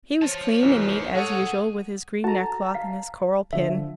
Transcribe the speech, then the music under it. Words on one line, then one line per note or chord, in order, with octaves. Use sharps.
He was clean and neat as usual, with his green neckcloth and his coral pin.
C5 C#5 A5
B1 F#2 E3
B1 G#4 A4 C#5 F#5
F#4 A4 F#5 A5 A#5
F5 B6
D3 F3 E5